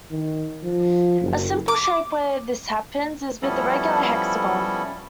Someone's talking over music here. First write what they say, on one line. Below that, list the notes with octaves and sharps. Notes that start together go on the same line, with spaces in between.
A simple shape where this happens is with the regular hexagon.
D#3
F3
F#1
D6
F3 G3 B3 C#4 E4 A4